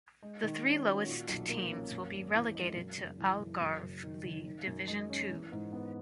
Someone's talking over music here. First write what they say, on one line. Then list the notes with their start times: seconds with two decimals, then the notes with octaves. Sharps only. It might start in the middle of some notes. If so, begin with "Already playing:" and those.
The three lowest teams will be relegated to Algarve League Division Two.
0.23 G#3
0.43 D#3
0.64 C#4
0.86 F#4
1.06 A#2
1.28 B1
1.49 A#3
1.71 C#4
1.91 F#2
2.12 G#1
2.34 E3
2.55 G#3
2.76 F#2
2.98 F#1
3.19 E3
3.40 F#1
3.61 F#2
3.83 F#1
4.03 D#3
4.24 F#1
4.46 D#3
4.67 F#2
4.88 G#3
5.10 C#4
5.30 E3
5.52 G#2
5.73 B3